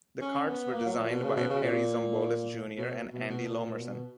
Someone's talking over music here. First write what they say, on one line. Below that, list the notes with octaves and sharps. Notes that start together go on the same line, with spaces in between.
The karts were designed by Perry Zombolis Junior and Andy Lomerson.
C#4
B3
A#3
F#3
A#2
B2
C#3
B2
C#3
A#2
B2
B2
B2
A#2
A#2
B2